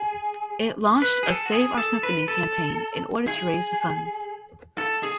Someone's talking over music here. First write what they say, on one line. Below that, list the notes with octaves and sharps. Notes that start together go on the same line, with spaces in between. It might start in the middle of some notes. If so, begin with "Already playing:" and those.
It launched a "Save our Symphony" campaign in order to raise the funds.
Already playing: G#4
B4
G#4
A4
F#4
G#4
A4
B4
A4
G#4
A4
G#4